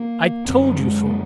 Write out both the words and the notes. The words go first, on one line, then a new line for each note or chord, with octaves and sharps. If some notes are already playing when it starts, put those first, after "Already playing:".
I told you so.
Already playing: A#3
F#2 D3 C4
G#3
A#3